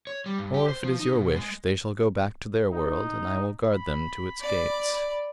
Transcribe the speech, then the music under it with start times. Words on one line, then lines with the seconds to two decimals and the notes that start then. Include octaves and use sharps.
Or if it is your wish they shall go back to their world and I will guard them to its gates.
0.07 C#5
0.26 G3
0.38 G2
0.54 G4
0.68 C5
0.84 F3
0.99 D#4
1.13 B2
1.36 G#3
2.72 D#4
3.66 B5
4.40 D5